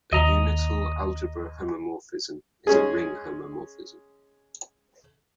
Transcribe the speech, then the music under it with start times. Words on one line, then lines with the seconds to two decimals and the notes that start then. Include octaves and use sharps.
A unital algebra homomorphism is a ring homomorphism.
0.13 D#2 D#5 A#5
2.67 G#3 C#4 G#4